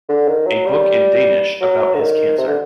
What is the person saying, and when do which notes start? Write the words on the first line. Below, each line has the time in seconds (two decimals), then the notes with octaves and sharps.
A book in Danish about his cancer.
0.09 D3
0.28 D#3
0.46 F#3
0.66 G3
1.61 F#3
1.94 D3
2.00 D#3
2.38 C3
2.47 D3